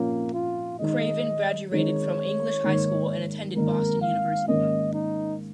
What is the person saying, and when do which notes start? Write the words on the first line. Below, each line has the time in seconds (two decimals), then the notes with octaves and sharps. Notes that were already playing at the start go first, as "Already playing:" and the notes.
Craven graduated from English High School and attended Boston University.
Already playing: A#2 F3 A#3 C#4
0.33 F4
0.79 D#3 G#3 D#4 D#5
1.71 D#3 G#3 D#4 C#5
2.64 G#2 D#3 A#3 D#4
3.56 G#2 D#3 A#3 D#4 A#4
4.02 F5
4.48 G#2 D#3 A#3 C#4 D#5
4.93 D#4